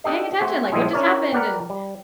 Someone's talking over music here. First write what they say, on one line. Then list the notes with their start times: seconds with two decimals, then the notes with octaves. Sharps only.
paying attention? Like, what just happened?" And,
0.04 D4 G4 A4 D#5
0.40 A3 C4 F#4 G#5
0.72 A#2 F3 G3 G#3 E4 G#4
0.93 C#4 D4 E4 A#4 C#5 D5
1.32 A#4 B4 D5 F#5 G5
1.70 G3